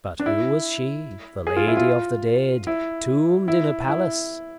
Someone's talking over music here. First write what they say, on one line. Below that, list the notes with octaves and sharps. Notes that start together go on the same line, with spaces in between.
But who was she, the lady of the dead, Tombed in a palace?
D4
E4
G#4
F4
E4
F4
E4
E4
E4